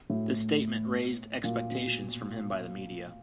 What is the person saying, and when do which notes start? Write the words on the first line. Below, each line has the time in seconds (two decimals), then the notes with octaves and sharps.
This statement raised expectations from him by the media.
0.10 A2
1.44 A#2
1.71 B2